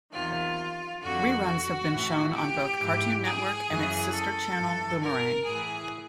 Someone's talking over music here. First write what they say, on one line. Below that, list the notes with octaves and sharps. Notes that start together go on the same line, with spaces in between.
Reruns have been shown on both Cartoon Network and its sister channel Boomerang.
E2 C3 D#3 F4
F2 D3 F#4
F#4
A2 E3
G4
G#2 E3
G#4
F#2 C#3 E3
A4
G2 E3
A#4
A2 E3 G#4